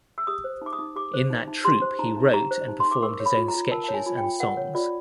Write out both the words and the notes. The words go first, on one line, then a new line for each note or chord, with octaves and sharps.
In that troupe he wrote and performed his own sketches and songs.
E6
G4 D#6
C5
D#4 D6
D#6
D#4
G4 D6
C5
D#4
D#4
G4 C6
C5
D#4 A#5
D#4
G4 A#5
C5
D#4
D#4 C6
D6
A#4 C#6
C#5
B5
F4
A#5
F4
A#4 A5
C#5 A5
G#5
F4
G5
F4
A#4 F#5
C#5
F4 D5